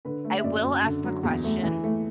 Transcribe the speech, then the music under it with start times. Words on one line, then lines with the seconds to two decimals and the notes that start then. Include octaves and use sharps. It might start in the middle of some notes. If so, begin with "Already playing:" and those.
I will ask the question.
0.05 D3 B4
0.24 A3
0.39 E5
0.44 F#2 D5
0.64 F#2
0.84 D3
1.04 F#3
1.23 E2
1.44 A3
1.63 E3
1.84 A3